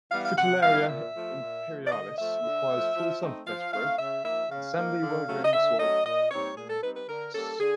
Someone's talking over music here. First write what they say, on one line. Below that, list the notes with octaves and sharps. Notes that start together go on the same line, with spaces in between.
"Fritillaria imperialis" requires full sun for best growth, and sandy, well-drained soil for permanence.
E3 G3 B3 F5
F5
C3 F#5
E3 G3 B3 F5
A#2 E5
F3 A3
A#2
F3 A3
D5
D3 D#5
F3 A3 E5
D3
F3 A3
F3
A3 C4 D#4
F3 F5
A3 C4 D#4 F5
C#3 E5
F3 A#3 D#4 E5
C#3 F5
F3 A#3 D#4
D3
F#3 A3 C#4
D#5
D3 E5
F#3 A3 C#4 D#5
A#2 D#5
G3 C4 D#4 C#5
A#2 G#4
A4
G3 C4 D#4 B4
B4
D3 A#4
G3 A#3 C#4 A4
D3 G#4